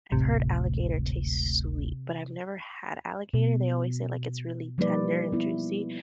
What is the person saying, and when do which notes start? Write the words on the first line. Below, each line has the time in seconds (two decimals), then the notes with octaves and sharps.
I've heard alligator taste sweet, but I've never had alligator. They always say, like, it's really tender and juicy.
0.12 D1 G#1 A2 C3
3.34 B2
4.78 F3 G3 A#3 D#4 B4 D5
5.32 B3 E4